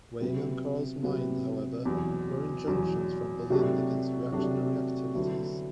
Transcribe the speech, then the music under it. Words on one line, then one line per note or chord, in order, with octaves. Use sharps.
Weighing on Kahr's mind however, were injunctions from Berlin against reactionary activities.
C3 F#3 B3
C3 F#3 B3
E2 B2 F#3
E2 B2 F#3
C3 F#3 A3 D4 F#4
C3 F#3 A3 D4 F#4
D3 F#3 B3 E4